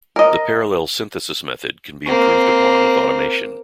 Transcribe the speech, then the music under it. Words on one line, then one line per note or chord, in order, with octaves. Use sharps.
The "parallel synthesis" method can be improved upon with automation.
A#4 D#5
A#3 C4